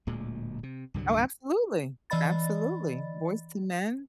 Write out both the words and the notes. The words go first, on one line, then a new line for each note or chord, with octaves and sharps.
Oh, absolutely, absolutely, Boyz II Men.
D1 D2 A#2 G#3
C3
C2 G2 D3 F#3
E3 D5 D#5 B5 A6